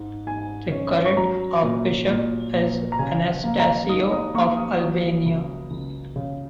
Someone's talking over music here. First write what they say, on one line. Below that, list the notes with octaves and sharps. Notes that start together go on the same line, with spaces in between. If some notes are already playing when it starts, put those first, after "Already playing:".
The current Archbishop is Anastasios of Albania.
Already playing: G#2 G#3
G#2 G#5
C#4
C#6
F#3 A#5
A#2
A#2
A#2
A#5
C#3 G#5
F#5
A#3
A#5
D#4 D#6
D#6
A#3 C#6
D#6
F#3 D#6
C#2
C#2
C#3